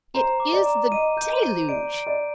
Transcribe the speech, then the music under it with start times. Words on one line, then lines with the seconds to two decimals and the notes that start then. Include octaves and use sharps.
"It is the deluge!"
0.15 C5 A#5
0.40 D6
0.53 D5
0.66 A#5
0.91 D#5 D#7
1.17 D#5 G6
1.43 C5 D#7
1.68 D5 D7
1.94 D7
2.07 D5